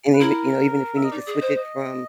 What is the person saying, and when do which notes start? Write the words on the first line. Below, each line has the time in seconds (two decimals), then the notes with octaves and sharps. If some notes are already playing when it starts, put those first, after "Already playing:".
And even you know, even if we need to switch it from,
0.13 B4
0.20 E4 A#4
0.97 E5
1.04 D#5
1.11 D#4 D5
1.26 G#4
1.34 D#5
1.42 C5
1.57 D#5